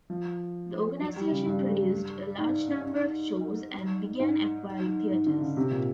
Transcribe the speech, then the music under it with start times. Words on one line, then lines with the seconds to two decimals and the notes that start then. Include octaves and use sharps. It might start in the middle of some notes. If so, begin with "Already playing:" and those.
The organization produced a large number of shows and began acquiring theaters.
0.10 F3
1.00 F#3
1.16 G3
1.31 C#3
1.46 G2
2.38 G#2
4.19 G#2
5.10 G#2
5.26 D3
5.41 C#3
5.57 C3
5.71 A#2